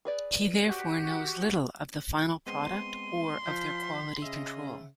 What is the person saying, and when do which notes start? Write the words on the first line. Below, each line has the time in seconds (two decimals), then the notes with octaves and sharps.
He therefore knows little of the final product, or of their quality control.
0.05 G#4 B4 D5
0.66 F#4 G4
2.47 G#3 B3 C4 C6 D#7
3.47 F3 G6 B6
4.22 C#3 D#5 E5